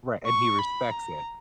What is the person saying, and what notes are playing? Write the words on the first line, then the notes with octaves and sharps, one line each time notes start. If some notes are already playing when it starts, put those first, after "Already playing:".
Right, and he respects it.
C#6
B5
A#5